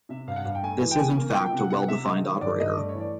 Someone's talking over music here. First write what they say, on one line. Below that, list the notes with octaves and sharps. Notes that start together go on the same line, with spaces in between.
This is in fact a well-defined operator.
C3 E5
G2 F5
F#5
G2 F5
G5
A3 G#5
E3
G5
E2 G#5
A#3
F3 G5
G5
C3
F#5
C3 F#5
C3 E5
G#3 D#5
D#3
C#5
G2 D5
G2 D#5
A3 D5
C#5
E3
D5